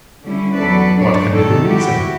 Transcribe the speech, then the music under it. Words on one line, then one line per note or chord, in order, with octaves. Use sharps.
What can be the reason?
D3 G3 C#4 E4
E2 F#3 A4 B4 D5
G#2 D4 C#5 D5
D#3 A3 D#4 A4
E4 F#4 G4